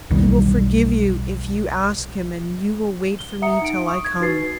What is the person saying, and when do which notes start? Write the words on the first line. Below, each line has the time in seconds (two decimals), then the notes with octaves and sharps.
He will forgive you, if you ask Him, and you will wait for me till I come.
0.11 B1 E2 D#3 G3
3.19 G7
3.42 E5 F#5 A#5 D#6 C#7
3.62 D#4 D7
3.86 C#6 D#6
4.05 G#6
4.20 D#4 F#4 B4 A6 C7